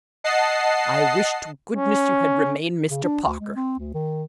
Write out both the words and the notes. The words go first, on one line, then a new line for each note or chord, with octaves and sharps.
I wish to goodness you had remained Mr. Parker!
D#5 F#5 A5 C7
C#4
C#3
D4
D2
G#3
C4
D2
D#3